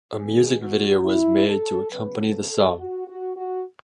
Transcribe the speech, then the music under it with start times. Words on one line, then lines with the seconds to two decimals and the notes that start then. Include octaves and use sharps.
A music video was made to accompany the song.
0.18 D#3 G#3 B3 G#4
0.61 F#4
1.05 E4
1.48 A4
1.91 C#3 F#3 B3 B4
2.20 A4
2.49 A4
2.78 F#4
3.08 F#4
3.36 F#4